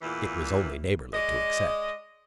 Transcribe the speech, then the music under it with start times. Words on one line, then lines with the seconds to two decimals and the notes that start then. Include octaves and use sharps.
It was only neighbourly to accept.
0.02 E2 A#2 E3
1.14 G#3 D5 D#5